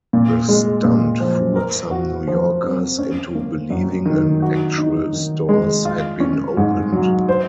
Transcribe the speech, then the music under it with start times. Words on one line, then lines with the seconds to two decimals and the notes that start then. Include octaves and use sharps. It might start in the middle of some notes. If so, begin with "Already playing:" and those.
The stunt fooled some New Yorkers into believing an actual stores had been opened.
0.13 A#2
0.48 G#3
0.85 A#2
1.20 F3
1.56 A#4
1.91 F#4
2.27 F3
2.63 C4
2.98 C#4
3.35 A#3
3.70 F#2
4.06 D#3
4.42 F#4
4.78 D#4
5.13 D#3
5.49 G#3
5.85 F4
6.20 C#4
6.57 G#2
6.92 F#3
7.29 C5